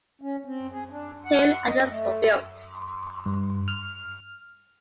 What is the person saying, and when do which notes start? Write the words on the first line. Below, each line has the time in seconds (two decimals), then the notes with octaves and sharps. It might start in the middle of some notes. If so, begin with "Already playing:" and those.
Two "Atlant"s were built.
0.21 C#4
0.45 C4
0.72 G#4
0.90 D4
1.25 F#5
1.67 D#5
1.89 A3
3.26 G2
3.68 F6